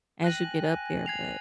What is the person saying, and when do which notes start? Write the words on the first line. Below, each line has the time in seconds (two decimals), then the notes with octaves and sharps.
as you get up there, but,
0.24 G5 F#6 A#6 D#7 F#7
0.35 G5
0.45 G#5
0.56 G5
0.65 G#5
0.86 G#5
1.00 G5
1.06 G#5 G#6 C7 F7